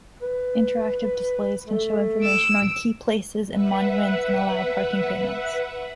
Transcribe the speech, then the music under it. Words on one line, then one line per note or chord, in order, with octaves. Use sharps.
Interactive displays can show information on key places and monuments and allow parking payments.
B4
A3
E6 D7
B4 E5 F#5